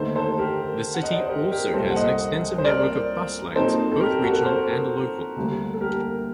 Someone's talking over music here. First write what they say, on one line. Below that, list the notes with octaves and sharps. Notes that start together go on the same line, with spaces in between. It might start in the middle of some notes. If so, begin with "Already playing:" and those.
The city also has an extensive network of buslines, both regional and local.
Already playing: D#2 D3 A3 D#4 A4 C5
A4 C5
G4 A#4
F#5
D#5
D5
C5
G4 A#4
G4 A#4
C2 A#2 G3 A4 C5
F#5
C5 D#5
C5
A#4 D5
A#2 F#3 C4 D#4 A4 C5
A4
G4 A#4
F#4 A4
A#4
A4 C5
D2 D3 G3 A#3
A4
G4 A#4